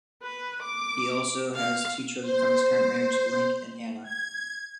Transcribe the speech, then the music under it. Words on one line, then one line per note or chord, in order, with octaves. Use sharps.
He also has two children from his current marriage, Link and Hannah.
B4
D6
F5
C5
G#6